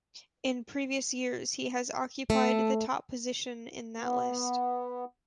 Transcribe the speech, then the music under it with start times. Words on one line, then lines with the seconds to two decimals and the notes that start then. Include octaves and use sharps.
In previous years he has occupied the top position in that list.
2.30 A3
3.98 B3